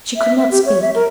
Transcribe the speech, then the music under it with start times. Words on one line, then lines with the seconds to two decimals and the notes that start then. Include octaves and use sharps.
She could not speak.
0.16 E5
0.37 E5
0.51 G4
0.66 C#5
0.82 E5
0.95 A#4